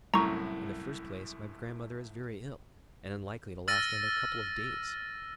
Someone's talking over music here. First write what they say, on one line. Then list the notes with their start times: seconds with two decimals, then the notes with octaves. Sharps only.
In the first place, my grandmother is very ill, and unlikely to last another couple of days.
0.14 C2 F#2 A2 A#5 C#6
3.68 E6 F6 A6 A#6 D#7